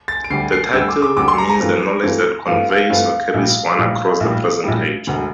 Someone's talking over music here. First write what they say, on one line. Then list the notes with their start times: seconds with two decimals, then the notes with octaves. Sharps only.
The title means the knowledge that conveys or carries one across the present age.
0.08 A6
0.24 D7
0.30 D2 D3 G3 C7
0.52 C7
0.73 D2 D3 G3 E6
0.88 D6
1.02 D6
1.17 D2 D3 G3 D6
1.28 C6
1.38 A#5
1.50 A#5
1.60 G2 E3 A3 C4 F4
2.03 G2 E3 A3 C4 F4
2.46 G2 E3 A3 C4 F4 F5
2.69 F5
2.90 G2 E3 A3 C4 F4 F5
3.34 A#1 A2 G3
3.78 A#1 A2 G3
4.20 A#1 A2 G3
4.64 A#1 A2 G3
5.07 E1 D2 D3